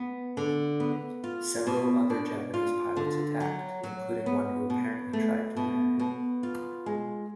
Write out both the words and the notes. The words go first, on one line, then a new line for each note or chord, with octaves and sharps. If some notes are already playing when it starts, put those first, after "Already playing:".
Several other Japanese pilots attacked, including one who apparently tried to ram him.
Already playing: B3
D3
B3
F4
B2
D4
F4
D3
F#3
F#3
B3
B2
A3
B2
B2
F4
G#3